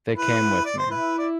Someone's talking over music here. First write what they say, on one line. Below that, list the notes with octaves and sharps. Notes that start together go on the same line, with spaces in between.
They came with me.
E4 B4
D5
C5
E4 B4
D5